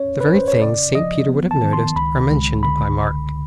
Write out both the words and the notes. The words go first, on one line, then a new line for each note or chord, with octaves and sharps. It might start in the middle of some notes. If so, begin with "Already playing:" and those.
The very things St. Peter would have noticed are mentioned by Mark.
Already playing: C#4 C#5
B4
C#4
C5
C#5
C#3 D5
F3 D#5
B3
A5
D#3
C6
C#2 B5
C#2
D3 B5